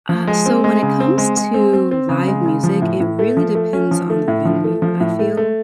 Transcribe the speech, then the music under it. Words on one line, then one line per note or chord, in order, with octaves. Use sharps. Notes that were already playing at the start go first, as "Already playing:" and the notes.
Uh, so when it comes to live music, it really depends on the venue, I feel.
F3
G#3
C4
G#3
C#3
C4
G#3
G#3
C4
C4
C4
C#3
G#3
C#3
F3
A2
A2
A3
F3
A3
C#4
F3
A3
A2
F3
A3
F3
A2
A3
A3